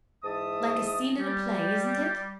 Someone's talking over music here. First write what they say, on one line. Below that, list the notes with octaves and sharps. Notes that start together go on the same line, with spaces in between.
"Like a scene in a play, isn't it?"
G#2 E3 E5 A5 D#6
G3